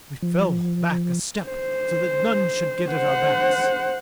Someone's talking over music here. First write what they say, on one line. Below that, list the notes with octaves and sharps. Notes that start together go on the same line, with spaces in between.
We fell back a step so that none should get at our backs.
F3
C5
C5 F#5